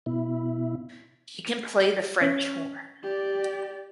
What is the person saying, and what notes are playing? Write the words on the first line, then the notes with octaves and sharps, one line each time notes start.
She can play the French horn.
B2 E4
C#4
G4 D5